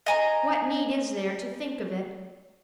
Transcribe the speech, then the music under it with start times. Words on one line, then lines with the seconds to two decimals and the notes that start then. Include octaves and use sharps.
What need is there to think of it?
0.06 D#5 G#5 A#5